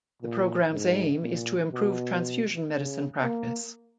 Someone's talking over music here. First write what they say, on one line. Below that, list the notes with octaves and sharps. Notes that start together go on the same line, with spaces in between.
The programme's aim is to improve transfusion medicine practise.
A#2
G#2
A#2
B2
C#3
A#3